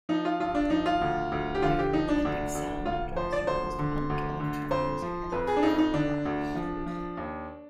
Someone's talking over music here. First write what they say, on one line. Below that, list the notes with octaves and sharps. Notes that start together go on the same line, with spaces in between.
Their eclectic sound draws from post-punk, electronic music and krautrock.
F3 D#4
F4
G2 F4
D4
F3 D#4
F4
D2
D2
G4
D3 F4
G4
F3 D#4
D4
D2 D4
D2
D2 F4
F3 C5
D5
D2 C5
D3
D2
D3
F2 C5
F3
F2 B4
G#4
D4
F2 D#4
D#4
D3 D4
D2
F3
F3
D#2